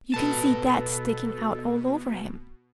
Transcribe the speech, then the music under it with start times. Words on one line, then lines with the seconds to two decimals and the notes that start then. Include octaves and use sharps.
You can see THAT sticking out all over him.
0.14 B2 A4 B4 A5